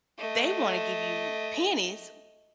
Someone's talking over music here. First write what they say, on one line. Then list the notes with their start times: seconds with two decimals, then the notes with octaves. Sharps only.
They wanna give you pennies
0.18 A3 D#5